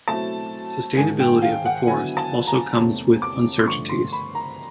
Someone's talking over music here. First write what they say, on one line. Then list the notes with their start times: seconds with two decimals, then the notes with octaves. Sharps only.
Sustainability of the forest also comes with uncertainties.
0.08 B2 F#3 A3 C4 E4 A5
0.97 G#2 D#3 G#3 G#5
1.20 G5
1.42 F5
1.65 F#5
1.87 D3 F#3 B3 E4 G#5
2.17 A5
2.47 A#5
2.77 E2 C3 E3 A3 C#4
3.22 D6
3.59 C6
3.67 G2 D3 F3 A3 C#6
3.89 C6
4.13 B5
4.35 A#5